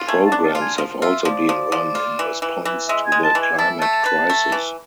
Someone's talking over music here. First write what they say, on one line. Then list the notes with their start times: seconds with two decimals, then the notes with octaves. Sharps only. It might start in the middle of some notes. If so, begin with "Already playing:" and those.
Programmes have also been run in response to the climate crisis.
Already playing: F4
0.08 A3 G#5
0.26 A5
0.32 D4
0.43 A5
0.54 F4 F5
0.61 G#5
0.78 F3
1.02 F4 E5
1.25 F3 D5
1.49 F3
1.72 F3
1.95 F4
2.19 E3
2.42 E3
2.65 E3
2.89 G#3 E5
3.06 G#5
3.12 G#3
3.24 A5
3.35 E3
3.42 G#5
3.58 E4 A5
3.80 A3 A5
4.06 B4
4.30 A3
4.52 E3